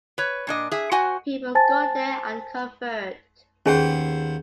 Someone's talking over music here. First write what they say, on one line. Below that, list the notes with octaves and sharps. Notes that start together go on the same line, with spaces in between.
People go there and convert.
B4 C#5
A#2 D4 D#5
G#4 E5
F#4 C5 D#5 F#5 G#5
C5 G#5 A5 A6
D#2 B3 C#4 G#4 C5 G#5